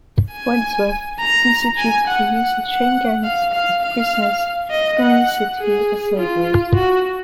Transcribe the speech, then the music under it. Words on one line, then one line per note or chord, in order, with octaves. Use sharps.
Wentworth instituted the use of chain gangs of prisoners in the city as laborers.
G#5
A#5
G#5
F#5
F#5
F#5
F5
F5
F5
D#5
F#5
G#4
F4
F#4